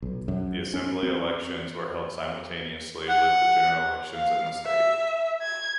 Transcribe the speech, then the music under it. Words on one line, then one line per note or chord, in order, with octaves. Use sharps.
The assembly elections were held simultaneously with the general elections in the state.
B1
F#2
C#4
C4
F#5
F5
E5
G#6